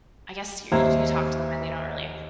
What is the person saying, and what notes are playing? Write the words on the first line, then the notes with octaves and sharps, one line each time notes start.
I guess you you do talk to them and they don't really
D#2 C5 E5 A#5